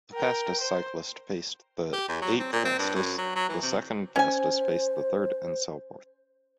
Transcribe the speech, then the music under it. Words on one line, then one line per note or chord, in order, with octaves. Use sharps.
The fastest cyclist faced the eighth-fastest, the second-fastest faced the third, and so forth.
A#4 G5
C5
G4
E2
F#3
C4
A#2
C4
G2
F#2
F#3
F#3
E3
C3
C#4 C5 G#5